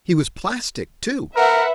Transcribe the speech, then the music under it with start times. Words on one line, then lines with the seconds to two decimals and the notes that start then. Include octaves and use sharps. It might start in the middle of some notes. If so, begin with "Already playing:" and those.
He was plastic, too.
1.36 A#4 B4 E5 F#5